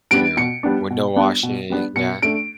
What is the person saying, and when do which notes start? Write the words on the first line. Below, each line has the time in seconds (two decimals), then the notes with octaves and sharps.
you know, window washing yeah?
0.11 G3 B3 D4 D7
0.37 B2 C#7
0.63 G3 B3 D4
0.90 B2
1.16 G3 B3 D4
1.43 B2
1.70 G3 B3 D4
1.96 B2 C#7
2.22 A3 D4 D7